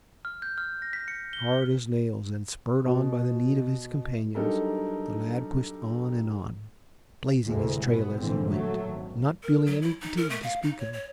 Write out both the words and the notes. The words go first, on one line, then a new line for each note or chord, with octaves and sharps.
Hard as nails and spurred on by the need of his companions, the lad pushed on and on, blazing his trail as he went, not feeling any fatigue to speak of.
F6
G6
F6
A#6
B6
C#7
G7
B2
F#3 G3 D4 D#4 A4 A#4
D2 A2 C3 E3 G#3
G1 F#2 B2 B3
A#1 G#2 D3 E3 C4
F#3 A3
G#1
A#4
F#3
E4
D#4
A#4
A3
F5
D#4
C#5
C#5